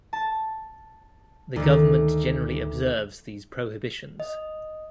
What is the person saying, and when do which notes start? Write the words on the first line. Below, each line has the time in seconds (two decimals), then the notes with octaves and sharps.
The government generally observes these prohibitions.
0.13 A5
1.56 D2 D#3
4.20 D#5